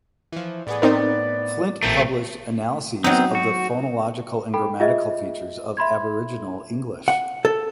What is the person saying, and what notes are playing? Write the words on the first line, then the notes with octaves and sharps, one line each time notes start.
Flint published analyses of the phonological and grammatical features of Aboriginal English.
E3 F3
A2 B3 G#4 D5
A2 B3 C4 D#4 A#4
A1 A#2 A3 C4 A#4
F#3 B3 C4 D#4
F#4
A4 G5 B5
F4 G#4 D#5 E5
E5 B5 C6 G#6
F#5
A4